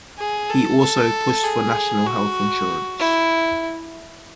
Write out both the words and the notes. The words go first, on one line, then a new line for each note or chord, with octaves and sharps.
He also pushed for national health insurance.
G#4
A4
A4
G#4
F#4
E4